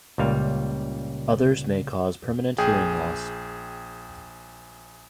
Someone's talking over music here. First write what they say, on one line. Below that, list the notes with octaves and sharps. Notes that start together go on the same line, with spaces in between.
Others may cause permanent hearing loss.
C#2 A#2 G3 F5
A#1 G#4 G5